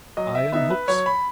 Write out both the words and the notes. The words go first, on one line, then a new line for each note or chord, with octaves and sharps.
Iron hooks?
F#3 D#5
E5
B3 D#4 E5
B4
F#3 C#5
B5